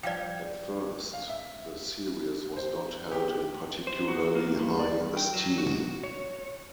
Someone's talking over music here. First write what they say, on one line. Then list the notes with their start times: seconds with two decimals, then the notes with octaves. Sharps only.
At first the series was not held in particularly high esteem.
0.03 F3 G3 D5 F5 G5
1.13 F5
1.29 E5
2.57 C5
3.11 G4
3.87 C5
4.08 F#4
4.35 A#3
4.59 G2
4.79 D5
5.00 G2
5.17 G5
5.33 F#3
5.58 F#4
6.03 C#5